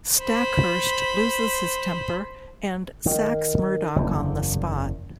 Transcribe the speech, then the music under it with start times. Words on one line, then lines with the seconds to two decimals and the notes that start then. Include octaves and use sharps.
Stackhurst loses his temper and sacks Murdoch on the spot.
0.21 C5 B5
3.06 D#3
3.96 F#1 E2